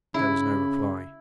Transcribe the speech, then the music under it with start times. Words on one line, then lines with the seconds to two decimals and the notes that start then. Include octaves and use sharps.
There was no reply.
0.14 C#3 E4